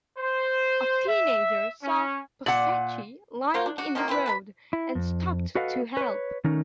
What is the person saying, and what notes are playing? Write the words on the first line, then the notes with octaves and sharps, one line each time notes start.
A teenager saw Pocceschi lying in the road and stopped to help.
C5
E5
C#4
A#2 F#5
A#3 F#4 C5
D4
D4 F#4
D#3 F3 F#3 A#3
C4 E4 F4 B4
B4 A5 B5
E4
F2
F#4 A4 B4 D#5 F5 F#5
B4 C#5
D#3 A3 C#4 D#4 A#4